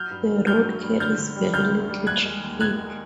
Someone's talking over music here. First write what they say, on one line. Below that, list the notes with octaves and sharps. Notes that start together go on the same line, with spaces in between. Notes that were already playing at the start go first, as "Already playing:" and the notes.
The road carries very little traffic.
Already playing: F#3 F6 G6
G2
D#3
G2 F6 G6
F#3
G2
D3 F6 G6
D3
G3
D2 F6 G6
D3
G3
D#2 F#6 G#6
G#3
D#2
D#2 F#6 G#6
G#3